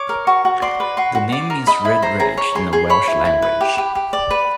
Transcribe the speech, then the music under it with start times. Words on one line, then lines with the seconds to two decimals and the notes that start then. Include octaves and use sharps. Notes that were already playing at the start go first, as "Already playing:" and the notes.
The name means 'red ridge' in the Welsh language.
Already playing: C#5 D6
0.09 A#4
0.27 F#4 C#6
0.45 F#4
0.62 D5 C6
0.80 B4
0.97 F#4 C6
1.15 F#4
1.32 D5
1.50 A#4
1.67 D#5 B5
1.85 E4 B5
2.02 C5 A#5
2.20 G#4 A#5
2.37 C#5 B5
2.55 G#4 C6
2.73 G#4 C6
2.90 C#5 B5
3.07 E4
3.25 E4
3.42 B4
3.61 G4
3.78 G4
3.95 G4
4.13 D5
4.31 B4